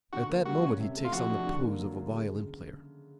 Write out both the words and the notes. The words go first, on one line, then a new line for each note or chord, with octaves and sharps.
At that moment he takes on the pose of a violin player.
D3 F#4
A#3
G3 F#4
C#4
C3
A3
F4
F3 F#4
D4
D3
A#3
F#3
D3
C#3